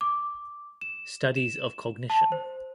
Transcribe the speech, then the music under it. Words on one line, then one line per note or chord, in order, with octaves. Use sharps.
Studies of cognition.
D6
E7
E7
A5
C5